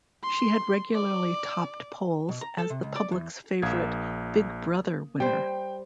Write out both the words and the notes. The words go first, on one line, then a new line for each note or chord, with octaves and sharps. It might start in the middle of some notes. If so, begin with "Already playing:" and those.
She had regularly topped polls as the public's favourite Big Brother winner.
C6
D5
B2
A#5
A4
C3
C#2
D5
E2
A#1 A#3 E5 D#6 G#6
G3 C5 G5